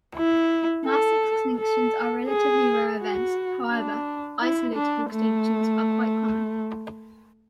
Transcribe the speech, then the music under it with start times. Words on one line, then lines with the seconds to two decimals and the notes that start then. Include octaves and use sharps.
Mass extinctions are relatively rare events; however, isolated extinctions are quite common.
0.16 E4
0.86 A4
1.57 A4
2.28 G#4
2.99 F#4
3.70 D4
4.41 E4
4.75 D4
5.11 A3